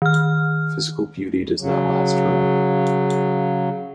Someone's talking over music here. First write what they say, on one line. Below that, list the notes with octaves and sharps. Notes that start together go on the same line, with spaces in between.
Physical beauty does not last for ever.
D#3 F6
C#3 F#3